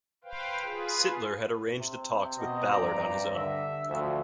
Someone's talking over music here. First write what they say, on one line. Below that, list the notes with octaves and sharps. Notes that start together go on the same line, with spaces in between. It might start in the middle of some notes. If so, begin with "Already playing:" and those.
Sittler had arranged the talks with Ballard on his own.
B4 C5 F5 G5
F4 G#4 B4
C3
B2 D#5
G2 D5 A#5
D3 E5
D2 F3